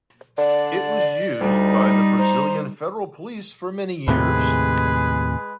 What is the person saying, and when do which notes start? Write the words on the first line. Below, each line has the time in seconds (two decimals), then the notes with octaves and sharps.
It was used by the Brazilian Federal Police for many years.
0.38 D3 D5
1.40 D2 G3 D#4
2.19 C5 A#5
4.08 D#2 A2 C3 G#3 G#4 B4